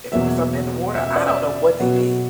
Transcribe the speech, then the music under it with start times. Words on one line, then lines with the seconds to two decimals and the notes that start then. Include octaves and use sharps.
if it was something in the water, I don't know what they did,
0.12 E2 B2 F#3 A#3 E5
0.95 E5
1.07 E5
1.16 D5
1.28 E5
1.80 B2 F#3 B3